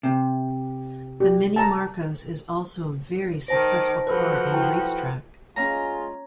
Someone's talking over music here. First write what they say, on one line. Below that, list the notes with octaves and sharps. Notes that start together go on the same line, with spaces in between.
The Mini Marcos is also a very successful car on the race track.
C3
G4
A5 A#5
D#3 C5 A5 D6 A#6 D7
F3 F#4 A4 B4
E4 G5
G#3 C#4 F4 A#5